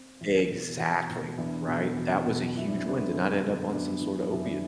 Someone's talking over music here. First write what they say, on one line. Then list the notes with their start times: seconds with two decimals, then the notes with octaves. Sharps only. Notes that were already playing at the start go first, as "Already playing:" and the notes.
Exactly, right? That was a huge win, did not end up on some sorta opiate.
Already playing: C4
0.21 E2
0.50 B2
0.79 E2
1.09 B2
1.37 E2 B3 D4
1.67 B2
1.97 E2
2.26 B2
2.55 F#2 E4
2.66 D4
2.77 C4
2.84 D3 B3 D4
3.13 F#2
3.43 D3
3.72 F#2 B3 D4
4.01 E3
4.31 F#2 E4
4.44 D4